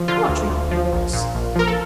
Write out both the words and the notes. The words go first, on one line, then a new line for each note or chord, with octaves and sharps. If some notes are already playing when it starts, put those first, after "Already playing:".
"What reports?"
Already playing: F3
D3 F4
D2
D2
F3
A#1
A#2
A#1
F3 A#4
A4